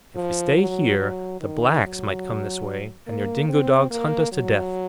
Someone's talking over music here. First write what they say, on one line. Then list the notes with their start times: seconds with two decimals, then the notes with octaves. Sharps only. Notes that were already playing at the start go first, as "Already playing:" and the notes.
If we stay here, the Blacks might come this way and their dingo dogs hunt us to death.
0.16 F3
0.57 F#3
0.98 F#3
1.41 D#3
1.82 F#3
3.07 A#3
3.49 C4
3.91 A#3
4.32 F#3